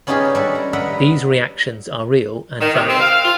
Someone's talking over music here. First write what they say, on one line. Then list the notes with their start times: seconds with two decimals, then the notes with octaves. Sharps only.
These reactions are real and valid.
0.07 B3 C#4 D#4 F4 G4 G#4
0.35 G3 D4 A4
0.55 A#5
0.73 A#4 B4 D#5 E5 F#5 A#5
2.60 D#3
2.74 C3
2.87 C4
3.00 F5
3.24 F4